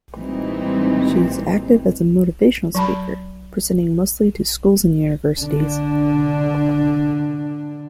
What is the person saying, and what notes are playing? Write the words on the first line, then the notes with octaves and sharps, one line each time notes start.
She is active as a motivational speaker, presenting mostly to schools and universities.
A#2 E3 G3 G#3 C4 D#4
F#3 A5 B5
D3 D4